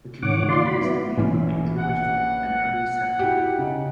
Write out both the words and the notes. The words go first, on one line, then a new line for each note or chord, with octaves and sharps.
The community has the name of Andrew Whitford, an early settler.
G#2 D#3 C#5 F#5 D6
D#3 F4 D5 C6
F#4 B5
F#3 B3 E4
A#1 E3 C#4
F#5
E4 F#4 G4
C#3 D#4